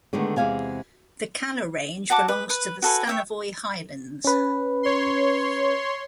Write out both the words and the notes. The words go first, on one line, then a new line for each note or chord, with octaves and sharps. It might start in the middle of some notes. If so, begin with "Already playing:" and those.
The Kalar Range belongs to the Stanovoy Highlands.
D3 D#3 G#3 A3 B3
E2 C3 G#3 F5 G#5
F#4 F#5 A5 D6
B4
B4
F#4 A4 B4 G#5
C#5 E5 G5
C#4 B4
C#5 C6